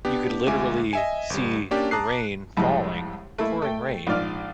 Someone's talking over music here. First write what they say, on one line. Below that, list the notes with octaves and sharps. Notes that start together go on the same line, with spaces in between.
you could literally see the rain falling, pouring rain,
B3 D4 G4
D2 G#3 F4 E5 G#5 D6
D#5 E5 G#5
G1 G3
A#3 C#4 D4 G4 D5
A5 A#5 D6 D#6 F#6 C7
C2 F2 A2 G3 G#3
A3 A#3 E4
A3 G5
A#1 G#2 F4 D5 F6